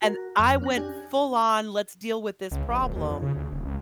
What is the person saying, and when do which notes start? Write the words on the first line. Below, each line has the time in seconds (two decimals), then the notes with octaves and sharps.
and I went full-on, "Let's deal with this problem,
0.02 F#4 A#4
0.35 F2 F6
0.62 C#4 F#6 A#6
0.76 D4 G4 G#5
2.51 C#2
2.69 A#1
2.82 D1
2.96 D#2
3.10 F2
3.22 C#3
3.36 D2
3.52 D#1
3.65 C#2